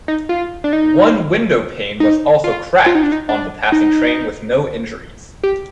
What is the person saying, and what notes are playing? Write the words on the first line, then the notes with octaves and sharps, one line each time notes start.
One window pane was also cracked on the passing train with no injuries.
D#4
F4
D4
D#4
D#4
F4
F4
D#4
D4
D#4
D4
D#4
G4